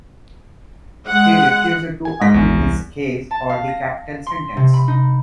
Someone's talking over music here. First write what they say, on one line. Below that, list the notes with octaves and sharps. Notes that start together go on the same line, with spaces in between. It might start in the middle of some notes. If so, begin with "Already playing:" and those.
He refused to appeal his case or the capital sentence.
G#3 F#5
G#5
G#2 G#3 A#6 B6
G#1 E2
C2
A5
F5
A#6
C6
C3
B5
D#4